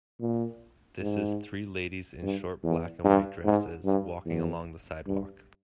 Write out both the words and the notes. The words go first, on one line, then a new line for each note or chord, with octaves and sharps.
This is three ladies in short black and white dresses walking along the sidewalk.
A#2
G#2
G2
E2
G2
G#2
G2
E2
G2